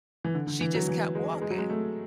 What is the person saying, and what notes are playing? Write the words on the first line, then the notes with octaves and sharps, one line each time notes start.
she just kept walking,
E3
D3
D3
E3
F#3
E3
G#3
G#3
F#3
G#3
A3